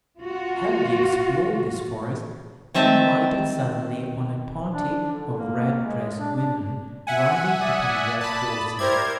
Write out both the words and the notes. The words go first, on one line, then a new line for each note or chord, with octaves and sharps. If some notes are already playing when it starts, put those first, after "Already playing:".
Helgi explored this forest, and lighted suddenly on a party of red-dressed women riding upon red horses.
F4 F#4
D#3 C4 E5 A5
D4
D3
A#3
G#3
D4
D4
E5 F#5 G#5
D5 D#6
A5 B5
E4 G4 A#4 C5 D5 G#6